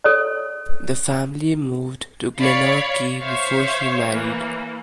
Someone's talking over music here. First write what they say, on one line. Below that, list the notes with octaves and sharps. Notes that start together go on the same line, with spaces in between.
The family moved to Glenorchy before she married.
A4 C#5 D5
C#5 D5 F5 B5
C5 C#5 E5 F5
E3 A#3